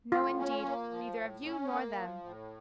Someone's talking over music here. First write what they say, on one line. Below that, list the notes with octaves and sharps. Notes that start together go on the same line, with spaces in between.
No, indeed, neither of you nor them.
A2 F4
C#4
A#3
F3
A2
C#4
A#3
F3
A2